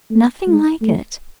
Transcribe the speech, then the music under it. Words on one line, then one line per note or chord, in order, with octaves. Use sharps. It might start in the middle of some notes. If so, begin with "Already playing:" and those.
Nothing like it.
A3
G#3
A3